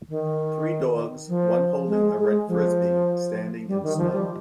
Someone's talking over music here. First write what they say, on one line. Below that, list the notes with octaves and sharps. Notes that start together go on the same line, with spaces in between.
Three dogs, one holding a red Frisbee, standing in snow.
D#3
F3
G#3
G#3
F3
G3
D#3
F3
G3